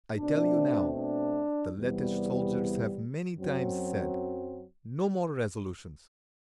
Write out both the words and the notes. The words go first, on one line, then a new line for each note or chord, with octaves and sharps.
I tell you now, the Lettish soldiers have many times said, 'No more resolutions!
B2 A3 C4 D4
D4
E2 C3 G3 B3
F#2 F#3 C4